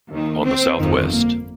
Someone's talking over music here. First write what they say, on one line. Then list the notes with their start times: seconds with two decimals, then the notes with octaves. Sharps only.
On the Southwest.
0.10 D#2 D#3
0.44 C4
0.79 G1 F2 D#3
1.12 A#3